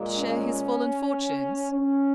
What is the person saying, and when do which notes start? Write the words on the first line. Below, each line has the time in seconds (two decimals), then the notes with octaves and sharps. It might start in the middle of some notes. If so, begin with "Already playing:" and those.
"To share his fallen fortunes?"
Already playing: A#2 G#3
0.16 C#4
1.70 C#4